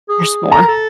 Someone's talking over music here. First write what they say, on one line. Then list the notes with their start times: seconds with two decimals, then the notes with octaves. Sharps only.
There's more.
0.09 G#4
0.22 G#4
0.51 A4 A#5
0.60 A#4
0.68 A4